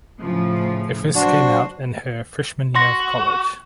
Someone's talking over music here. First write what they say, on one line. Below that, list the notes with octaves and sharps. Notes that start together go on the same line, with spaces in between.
They first came out in her freshman year of college.
A2 C#3 F3
F#3 D4 F#4 C5
F#4 C6 A#6